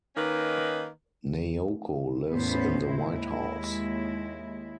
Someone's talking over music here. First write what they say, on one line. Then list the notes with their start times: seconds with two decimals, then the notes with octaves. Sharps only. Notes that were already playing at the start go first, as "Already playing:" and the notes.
Naoko lives in the white house.
0.15 D#3 A#3 C#4 D#4 B4
2.30 E2 A2 B3 C#4 C5
2.95 D#2 G#3 E4